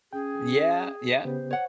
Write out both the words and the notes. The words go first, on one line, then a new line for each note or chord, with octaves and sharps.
Yeah, yeah,
C#4 G#4 G5
C#3 B3 G4 C5
C#5 F#5